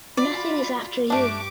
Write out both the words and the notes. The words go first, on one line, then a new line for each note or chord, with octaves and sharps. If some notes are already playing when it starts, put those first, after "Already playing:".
Nothing is after you.
F4 F#4 D5 B5
G2 A3 D4 G4 C#6 D6